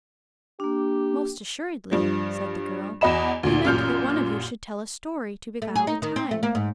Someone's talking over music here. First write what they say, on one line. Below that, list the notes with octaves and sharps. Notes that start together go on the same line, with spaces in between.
"Most assuredly," said the girl; "he meant that one of you should tell a story to beguile the time."
A#3 D4 G4
G2 F3
E2 F#4 D#5 B5 E7
D2 A#2
A1 F#2 A#2 F6 G6
A3
G#4
D#4
D#3
C4
A3
A#3
G#2